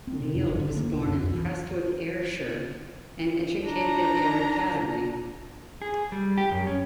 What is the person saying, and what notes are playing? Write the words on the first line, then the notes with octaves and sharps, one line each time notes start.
Neill was born in Prestwick, Ayrshire and educated at Ayr Academy.
C4
C3
F2
G1
D3
A#3
B1
F#2
F2
E3
D4 A#5
G#4
G3
G4
F#2
C#4